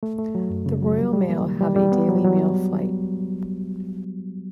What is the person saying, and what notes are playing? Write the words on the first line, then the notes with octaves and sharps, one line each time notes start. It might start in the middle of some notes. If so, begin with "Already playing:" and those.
The Royal Mail have a daily mail flight.
A3
A3
F#3
F#2
C#3
F#3
G3
G3
A#3
D#3
G3
G3
B3
F#3
F#3